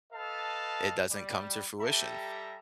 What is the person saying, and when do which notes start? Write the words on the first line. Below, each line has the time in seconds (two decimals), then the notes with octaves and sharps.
it doesn't come to fruition.
0.13 A4 B4 D#5 F5 A5
1.11 G3
1.81 G3 G4 A4 E5 A#5